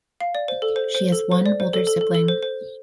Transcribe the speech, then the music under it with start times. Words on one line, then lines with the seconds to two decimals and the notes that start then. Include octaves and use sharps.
She has one older sibling.
0.20 F5
0.35 D5
0.48 C5
0.62 A4
0.76 C5
0.95 C5
1.12 A4
1.32 C5
1.46 D5
1.60 C5
1.73 A4
1.87 A4
2.01 A4
2.15 A4
2.28 C5
2.43 C5